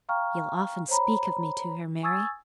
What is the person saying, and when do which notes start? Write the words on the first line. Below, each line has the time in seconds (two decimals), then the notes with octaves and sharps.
You'll often speak of me to her, Mary?
0.09 F5 G5 A#5 C#6 F6
0.88 C5 C#5 A#5 B5
2.03 G#5 C#6 D#6 E6 G#6 A6